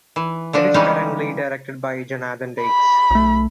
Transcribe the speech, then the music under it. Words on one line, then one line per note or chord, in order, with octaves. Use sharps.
It is currently directed by Jonathan Dykes.
E3
D3 F3 D4
C#3 E3 G3 G#3 C#4 D#4
B5
B1 A3